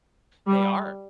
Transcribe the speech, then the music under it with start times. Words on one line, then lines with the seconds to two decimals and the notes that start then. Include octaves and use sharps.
They are.
0.47 G3